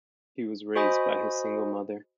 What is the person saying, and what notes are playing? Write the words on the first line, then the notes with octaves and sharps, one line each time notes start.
He was raised by his single mother.
F#4 C5 D#5 G#5 B5 D#6